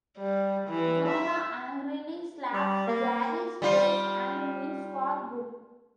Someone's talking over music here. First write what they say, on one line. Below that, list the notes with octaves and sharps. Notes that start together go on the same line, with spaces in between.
Joanna angrily slaps Garry's face and leaves for good.
G3
E3
E5
G3
A#3
G3 F4